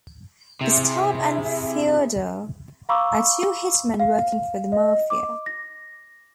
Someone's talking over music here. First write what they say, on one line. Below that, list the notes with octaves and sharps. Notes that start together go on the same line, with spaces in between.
Gustav and Feodor are two hitmen working for the Mafia.
C3 E4 G#4 E5
F5 A#5 B5 C#6 D6 E6
F5
D#5
D6
A#6